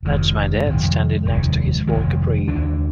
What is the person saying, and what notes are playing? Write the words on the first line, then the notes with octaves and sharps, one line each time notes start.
That's my dad standing next to his Ford Capri.
F1 D#2 D#3 G#3
F1 D#2 D#3 G#3
F1 D#2 D#3 G#3
F1 D#2 D#3 G#3
D#2 D3 G#3 D4